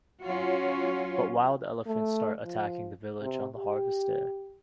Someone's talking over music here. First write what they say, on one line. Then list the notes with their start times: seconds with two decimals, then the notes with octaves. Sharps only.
But wild elephants start attacking the village on the harvest day.
0.23 F#3 C#4 F4 F#4 C#5
1.87 A3
2.45 F3
3.22 C3
3.56 G4